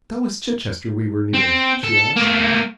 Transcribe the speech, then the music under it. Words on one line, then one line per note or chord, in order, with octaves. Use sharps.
"That was Chichester we were near?" she asked.
C4
A4
A3 A#3